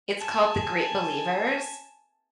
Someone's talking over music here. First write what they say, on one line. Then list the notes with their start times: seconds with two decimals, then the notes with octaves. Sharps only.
it's called The Great Believers
0.20 G#5 A5